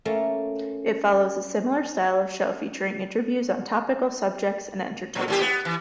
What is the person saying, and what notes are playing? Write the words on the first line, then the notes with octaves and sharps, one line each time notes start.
It follows a similar style of show, featuring interviews on topical subjects and entertainment.
A3 A#3 C#4 A#4 A5
A#2 F#3
A2 F4 G4
B3
E3